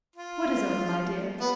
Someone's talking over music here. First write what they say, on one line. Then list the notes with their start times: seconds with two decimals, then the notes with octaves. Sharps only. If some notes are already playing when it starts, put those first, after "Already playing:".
"What is over, my dear?"
0.16 F4
1.40 B3